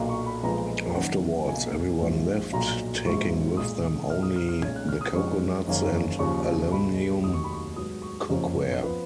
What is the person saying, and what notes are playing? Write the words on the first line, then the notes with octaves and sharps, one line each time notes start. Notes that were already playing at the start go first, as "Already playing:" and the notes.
Afterwards, everyone left, taking with them only the coconuts and aluminium cookware.
Already playing: B1 A#2 F#3 A#3
C#6
B5
B1 A#2 F3 G#3 B3 A#5
F#2 D#3 A#3 C#4 F#5
B1 B2 A#3 G#5
A#1 G#2 F3
B1 A#2 F#3 A#5
A#1 G#2 F#3 C#6
B1 A#2 G#3 D#6
B1 A#2 F3 F6
D#6
F6
F6
B1 A#2 G#3 C#4 G#6
F#6
F6
D#6
F2 F3 G#3 C#4 C#6
F#1 F#2 D#3 A#3 C#4
D#2 C#3 F3 C#6
C#2 B2 G#3 B5
F1 D#2 D#3 F#3 A#3 D#6
C#6
B5
C#6
G#2 F#3 B3 D#6
C#6
F#1 F2 F3 A#3 C#4
F3 B3